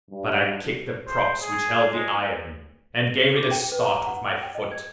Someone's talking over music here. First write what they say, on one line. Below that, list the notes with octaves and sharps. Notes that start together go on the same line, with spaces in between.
But I kicked the props which held the iron, and gave it a start with my foot.
G2
C5
G#4
G#3
C#7
D6
G5
B4
A#5
F#5
G5
D#5
G#6